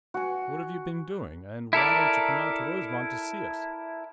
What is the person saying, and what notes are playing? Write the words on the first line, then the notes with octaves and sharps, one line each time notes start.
What have you been doing, and why don't you come out to Rosemont to see us?
F#4 G#5
E4 A4 A#4 D5